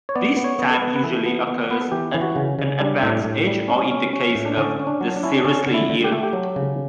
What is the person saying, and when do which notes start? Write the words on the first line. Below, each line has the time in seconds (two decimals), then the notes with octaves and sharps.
This type usually occurs at an advanced age or in the case of the seriously ill.
0.09 C#5
0.16 B3 D5
0.37 B3
0.44 C#5
0.59 B3
0.71 A4
0.74 B4
0.82 B3
0.96 B4
1.03 E3 A4
1.26 B3
1.47 B3
1.70 B3 B4
1.81 A4
1.92 E3 G4
2.14 E3
2.21 F#4
2.36 C#3
2.59 C#3
2.80 G3 D4
3.03 A2
3.24 A2
3.47 G3
3.68 C#4
3.91 C#4
4.13 C#4
4.35 A2
4.46 D4
4.57 D3 C#4
4.80 C#4
4.87 D4
5.01 F#3
5.16 D4
5.23 C#4 E4
5.31 D4
5.45 D3 C#4
5.67 D3
5.74 E4
5.89 D3
6.04 G4
6.12 A3 A4
6.23 G4
6.33 F#3
6.56 C#3